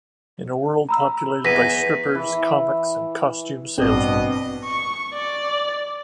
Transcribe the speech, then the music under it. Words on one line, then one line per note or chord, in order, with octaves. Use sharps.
In a world populated by strippers, comics and costume salesman.
A#5 B5 E6
E2 A#6 B6 D#7
E3
A1 G2 B2 C4 D4 D#5
C#6
D5